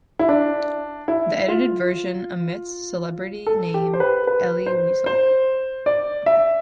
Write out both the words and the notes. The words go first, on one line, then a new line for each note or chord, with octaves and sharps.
The edited version omits the celebrity's name-Elie Wiesel.
E4
D4
E4
F4
A4
G4
C5
B4
B4
C5
C5
D5
E5